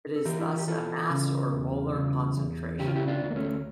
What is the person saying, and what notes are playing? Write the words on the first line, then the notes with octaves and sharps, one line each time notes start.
It is thus a mass or molar concentration.
A4
E3 G4 A#4
E4
F4
G4
E3 F4 A4
C#3
E2
C#3
E2
C#3 G4
F4
E4 G4
D4 F4
D2
A#3
A3 C#4